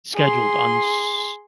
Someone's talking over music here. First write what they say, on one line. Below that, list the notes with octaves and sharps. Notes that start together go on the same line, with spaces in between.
scheduled on S
G#4 C6